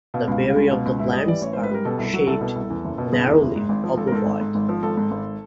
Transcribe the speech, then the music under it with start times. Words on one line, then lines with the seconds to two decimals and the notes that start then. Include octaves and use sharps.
The berry of the plants are shaped narrowly obovoid.
0.14 B2 F5
0.28 C#2 F5
0.42 G3
0.50 F5
0.56 C#2
0.67 B2 F5
0.86 C#2
0.99 G#2 E5
1.13 G3 D#5
1.28 E3 D5
1.41 A1 C#5
1.53 G#2 C5
1.63 B4
1.71 G3 A#4
1.85 B2 A4
1.98 C2
2.14 F#3
2.27 C2 A4
2.41 B2
2.56 C2
2.70 E2
2.85 F#1
2.98 B2
3.12 F#1 G#4
3.27 E2
3.41 F#1
3.56 G#2
3.69 G#1
3.84 F3
3.97 G#1 A4
4.07 A#4
4.12 G#2 A4
4.26 G#1
4.41 G#2
4.55 G#1
4.69 F3
4.83 G#1 A4
4.97 G#2
5.11 G#1